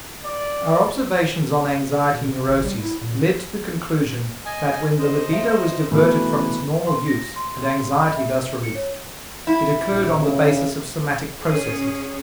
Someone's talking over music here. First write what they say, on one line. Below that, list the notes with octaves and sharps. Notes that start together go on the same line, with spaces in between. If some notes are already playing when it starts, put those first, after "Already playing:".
Our observations on anxiety neuroses led to the conclusion that when the libido was diverted from its normal use and anxiety thus released, it occurred on the basis of somatic processes.
D5
B2
C#3
G#1
G3
E4
A#2
D#5 G#5
C5 D#5
E5
B2 E3 A3 B4
C6
A#6
C6
C6
B5
E5
C#7
C#5
E4
A#1
C#3
C#4 G#4